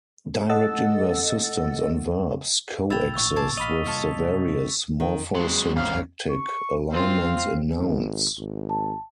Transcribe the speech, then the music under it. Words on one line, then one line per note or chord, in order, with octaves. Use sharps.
Direct-inverse systems on verbs coexist with the various morphosyntactic alignments in nouns.
A4 D#5 F#5 E6 A6
A1 A#2 E4 G5 E6 A6 F7
C#6 E6
G#4 D5 A5 A6
D#5 F5 B5 D6 B6 F7
C3 G3 A#3 F4 A4 C#5
D#3
F#3 G#3 C4 C6
A1 E2 G#2 F5
C#6
C4 F4 F5
G#1
G#1
A5